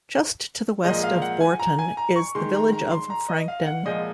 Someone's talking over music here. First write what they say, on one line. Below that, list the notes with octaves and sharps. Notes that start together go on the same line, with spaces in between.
Just to the west of Bourton is the village of Frankton.
A#2 F3 G#3 D#5
F5
F#5
G#5
A#5
G#5
A#5
C#6
D#3 G#3 C6
A#5
A#5
C6
A#5
D#5
F5
F#5
A#2 F3 G#3 D#5